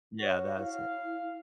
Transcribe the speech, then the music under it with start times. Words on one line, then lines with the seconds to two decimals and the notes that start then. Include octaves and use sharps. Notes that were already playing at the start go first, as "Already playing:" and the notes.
Yeah, that is it.
0.21 F#4 C#5
0.57 E4 F5